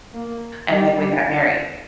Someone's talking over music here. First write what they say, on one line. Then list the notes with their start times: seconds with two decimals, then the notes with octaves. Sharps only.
and then we got married.
0.14 A#3
0.69 G3